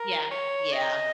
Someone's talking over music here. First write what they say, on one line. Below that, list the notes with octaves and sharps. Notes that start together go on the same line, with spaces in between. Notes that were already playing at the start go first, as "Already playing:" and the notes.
Yeah, yeah.
Already playing: A#4
C#5
D#5